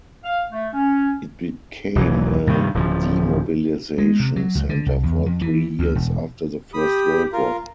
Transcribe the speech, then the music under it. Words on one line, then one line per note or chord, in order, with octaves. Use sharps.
It became a demobilisation centre for three years after the First World War.
F5
A3
C#4
E1 B1 E3 F#3
G2 C3 D#3
D1 C#3 F3
G#3
C3
F#3
C#2
D3
C2
E2
F2
E3
D2
E1
G4 B5 D#6
F4 A#4